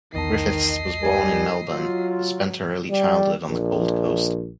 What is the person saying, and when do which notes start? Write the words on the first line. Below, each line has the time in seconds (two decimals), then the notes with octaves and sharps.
Griffiths was born in Melbourne, but spent her early childhood on the Gold Coast.
0.14 B1 E2 D#3 D#5 A5 C7
1.02 D#2 G3 G#5
1.71 F#3 F4 E6
2.91 G3
3.50 A#1